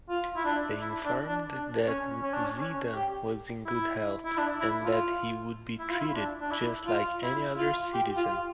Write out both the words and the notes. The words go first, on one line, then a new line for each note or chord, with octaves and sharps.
They informed that Zeidan was “in good health”, and that he would be treated “just like any other citizen”.
F4
E4
D4
E4
D4
D4
D4
C#4
C#4
D4
C#4
C#4
G4
E4
E4
D4
E4
F4
E4
F4
E4
D4
D4
E4
F4
E4
F4
G4
F4